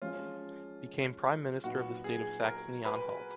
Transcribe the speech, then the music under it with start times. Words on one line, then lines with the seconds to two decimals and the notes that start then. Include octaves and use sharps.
Became prime minister of the state of Saxony-Anhalt.
0.02 F3 G#3 C#4 F4
1.64 A#2 F#3 B3 D#4 F#4
2.04 G#4
2.44 A#4
2.85 B4